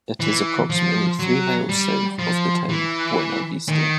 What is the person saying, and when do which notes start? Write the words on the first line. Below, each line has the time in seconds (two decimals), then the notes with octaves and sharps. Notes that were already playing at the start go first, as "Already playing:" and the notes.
It is approximately three miles south of the town of Buena Vista.
0.20 E3
0.70 F3
1.19 F#3
1.69 G3
2.19 F3
2.69 E3
3.69 D#3